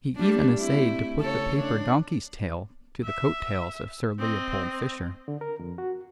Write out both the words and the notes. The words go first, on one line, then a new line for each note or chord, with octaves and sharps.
He even essayed to put the paper donkey's tail to the coat-tails of Sir Leopold Fischer.
G3 A3 D4
A3 C4 E4
C#3 A4 C#5
D4
E5
C4 D#5
D3
A#4
F2
F#4